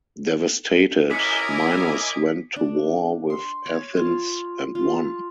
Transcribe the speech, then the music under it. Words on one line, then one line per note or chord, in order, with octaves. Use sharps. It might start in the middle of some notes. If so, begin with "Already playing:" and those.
Devastated, Minos went to war with Athens and won.
C#4 E4 A#4 D#5 G#5 D6 B6 C#7
D4
C6
C#5
F4
F4